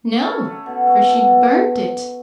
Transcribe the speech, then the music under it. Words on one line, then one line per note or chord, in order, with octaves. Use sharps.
'No! for she'd burnt it.'
C#4 A4 C#5
A3
B2
A3
B2